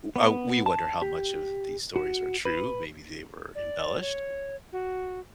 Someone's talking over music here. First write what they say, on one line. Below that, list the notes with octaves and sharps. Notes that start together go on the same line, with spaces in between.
uh we wonder how much of these stories are true, maybe they were embellished,
B3
A5
G4
F#4
B4
D5
C#5
F#4